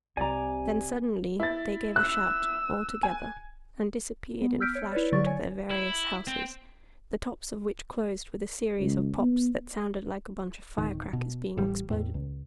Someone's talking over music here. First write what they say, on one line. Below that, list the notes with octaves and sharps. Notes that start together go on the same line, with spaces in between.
Then suddenly they gave a shout, all together, and disappeared in a flash into their various houses, the tops of which closed with a series of pops that sounded like a bunch of firecrackers being exploded.
C2 C3 D5 G#5 A#5 D6
E4 A6
E6 F#6
G#5
B3
E6 F6 G6 B6 D7
C#5
E4 B4 C#5 D5
D3 F#3 D5 C#6 A6
C#5 G#5
E4
C4
C#2
B3
D1 D#3
B2
A1 G3
E2 A2
C#2